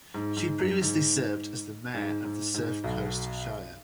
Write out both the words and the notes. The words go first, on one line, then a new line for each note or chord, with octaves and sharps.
She previously served as the mayor of the Surf Coast Shire.
G#2
G#2
F#2
G#2
G#2
G#2
G#2
B1 B2